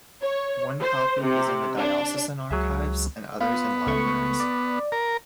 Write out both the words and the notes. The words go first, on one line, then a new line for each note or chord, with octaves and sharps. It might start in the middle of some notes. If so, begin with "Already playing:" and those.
One copy is in the diocesan archives and others in libraries.
C#5
C5
C3
D4
C#2 F#3 G#4 E5
B3 F4
C#2 A3 C#6
D5
A#4